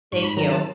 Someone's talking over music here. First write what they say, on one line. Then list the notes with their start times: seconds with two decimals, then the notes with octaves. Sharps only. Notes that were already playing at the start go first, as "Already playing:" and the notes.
Thank you.
0.12 G#2 C#6
0.24 B5
0.37 D#3 F#3 A#5
0.49 A5